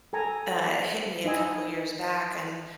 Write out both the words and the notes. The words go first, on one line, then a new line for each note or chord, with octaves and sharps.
I uh, hit me a couple years back and
A4 G#5 A#5
D#4 E4 D#5 G#5 E6